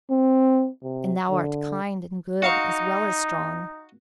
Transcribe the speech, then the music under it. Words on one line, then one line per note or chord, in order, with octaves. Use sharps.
And thou art kind and good, as well as strong.
C4
C3
D3
D#4 F#4 F5 C#6